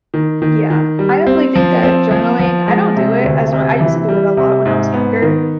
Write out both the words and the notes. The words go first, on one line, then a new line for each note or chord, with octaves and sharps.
Yeah. I definitely think that journaling I don't do it as mu I used to do it, a lot, when I was younger,
D#3
D#3
D#3
G3
C4
F3
C4
F3
F3
G#3
C3
D2
C3
E3
G3
C3
G#2
B3
D#3